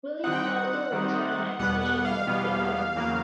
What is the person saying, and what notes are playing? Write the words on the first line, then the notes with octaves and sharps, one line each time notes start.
William fell ill during an expedition against the Ottomans.
D#3 G3 C4 D#4 F#5
G5
F#5
D#3 G3 C4 D#4
E2 B2 G3 B3 F#5
F#5
F5
E2 B2 G3 B3
E2 C#3 F#3 A#3